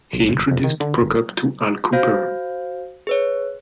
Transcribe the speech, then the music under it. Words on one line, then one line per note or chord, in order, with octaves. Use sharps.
He introduced Prokop to Al Kooper.
B1
G1
F2
D#3
D3
G1
F#4 C5 F5 G6
G#4 B4 C#5